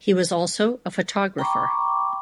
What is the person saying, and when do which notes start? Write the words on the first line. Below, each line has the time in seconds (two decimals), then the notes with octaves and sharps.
He was also a photographer.
1.38 G5 A#5 B5 C#6 D6